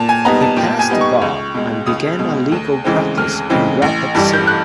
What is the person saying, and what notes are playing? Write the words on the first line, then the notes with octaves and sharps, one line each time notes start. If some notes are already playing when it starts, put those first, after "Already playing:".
He passed the bar, and began a legal practice in Rapid City.
Already playing: A#2 A5
G#5
G3 B3 D#4 A#5
A5
A#2 G5
G#5
G3 B3 D#4
C#6
C#2
B2 G#3
C#2 D#6
B2 G#3
D2
C#3 E3 G#3 C4
D2 F6
C#3 E3 G#3 C4
A1
G2 E3 G3
G6
F#6